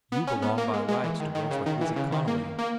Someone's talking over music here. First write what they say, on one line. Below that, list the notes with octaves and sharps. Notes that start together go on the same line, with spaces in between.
You belong by rights to girls like Lizzie Connolly.
B3
C#4
B3
A#3
G#3
G#3
E3
D#3
D#3
C#3
D#3
E3
C#3
D#3
A#3
A#3